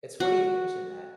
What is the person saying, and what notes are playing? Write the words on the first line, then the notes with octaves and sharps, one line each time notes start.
It's funny you mentioned that.
F#4